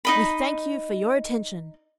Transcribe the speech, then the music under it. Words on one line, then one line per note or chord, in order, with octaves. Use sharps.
"We thank you for your attention!"
D#4 D#5 B5